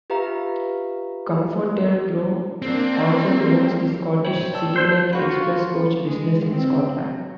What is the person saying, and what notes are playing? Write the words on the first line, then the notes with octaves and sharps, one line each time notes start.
ComfortDelGro also owns the Scottish Citylink express coach business in Scotland.
F4 G4 B4 E5 F5 A#5
A#3 C4 D4
G3 G#3 A#3
C5 C#5 G5
D5 A5 E6
C5
F4 F#4 B4
G#3
C4
F#3